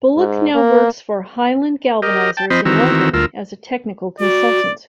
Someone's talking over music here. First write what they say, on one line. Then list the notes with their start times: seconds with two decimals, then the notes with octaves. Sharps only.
Bulloch now works for Highland Galvanisers in Elgin, as a technical consultant.
0.17 G#2
0.55 A#3
2.02 G4 A#4 D#5
2.37 G5 A5
2.50 F3 C4 C5 D#5 B5
2.65 D#3 E3 C4 F#4 A#5 E6
3.14 D2 F4 A#4 E6
4.20 F#4 D5